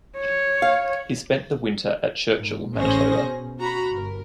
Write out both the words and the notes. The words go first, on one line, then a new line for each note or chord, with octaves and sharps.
He spent the winter at Churchill, Manitoba.
C#5
F5
G#2
A1 C#4 G#4 C5 A#6
B2
F#4 A#5 B5
G1 A#4